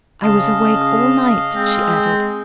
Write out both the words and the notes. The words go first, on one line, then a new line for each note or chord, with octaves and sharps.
"I was awake all night," she added.
C#3 D#5 F5 A5
G#3 C4